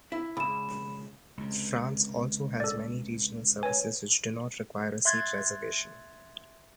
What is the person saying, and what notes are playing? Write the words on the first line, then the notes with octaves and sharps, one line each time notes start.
France also has many regional services which do not require a seat reservation.
E4
C#2 G#2 B5 E7
C#2 C3
A4 D5
B4 C#5 G#5
E5 C6 F#6 G#6 A6